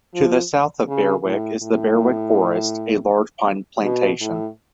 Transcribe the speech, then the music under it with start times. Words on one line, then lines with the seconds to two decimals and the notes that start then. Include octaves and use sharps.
To the south of Berwick is the Berwick Forest, a large pine plantation.
0.14 F3
0.88 C#3
1.25 A2
1.63 A2
3.84 B2
4.21 A2